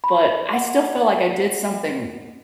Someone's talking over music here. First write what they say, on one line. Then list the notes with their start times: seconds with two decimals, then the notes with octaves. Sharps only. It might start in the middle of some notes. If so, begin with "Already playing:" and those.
but I still felt like I did something
0.04 B5
0.53 F#5